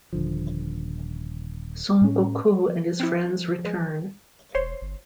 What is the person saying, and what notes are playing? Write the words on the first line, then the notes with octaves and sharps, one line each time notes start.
Son Goku and His Friends Return!!
D#1 D3 F3
A2 C#4
F3
C4 E4
G#3
E1 C5 C#5 C6
G1